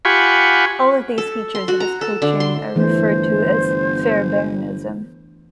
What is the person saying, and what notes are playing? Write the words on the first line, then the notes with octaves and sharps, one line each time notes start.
All of these features of his coaching are referred to as "Fairbairnism".
F4 G4 F#5 G#5 B5 C#6
A4
C6
F#4
A#5
A4
D3
C6
G1 E3 A3 C5